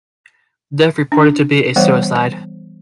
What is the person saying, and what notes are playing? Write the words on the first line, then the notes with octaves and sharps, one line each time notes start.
The death reported to be a suicide.
D4
E3 G3 B3 C5 C#5 F5